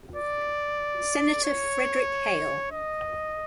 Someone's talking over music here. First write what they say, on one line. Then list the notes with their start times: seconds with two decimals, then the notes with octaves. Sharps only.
Senator Frederick Hale.
0.16 D5
1.45 C#5
2.72 D#5